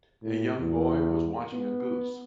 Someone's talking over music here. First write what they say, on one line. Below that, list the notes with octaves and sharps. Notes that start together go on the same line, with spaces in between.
A young boy was watching a goose.
A2
E2
B3